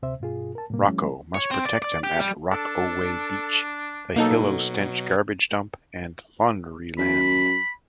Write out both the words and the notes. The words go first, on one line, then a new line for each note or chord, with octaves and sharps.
Rocko must protect him at Rock-O-Whey Beach, the Hill-O-Stench garbage dump, and Laundryland.
D2 C3 C5 E5
G2 B2 F4 G#4
A#4 A5
A2 C3 G3 A#3
F3 G3 A3 C#4 E4
C#5
C4
D5
D5
G4
G3
D4 A4
B2 F#3 A#3 D#4 A4
F#2 B5